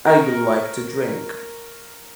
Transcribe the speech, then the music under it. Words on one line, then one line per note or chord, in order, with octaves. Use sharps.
I like to drink.
A#4 C#6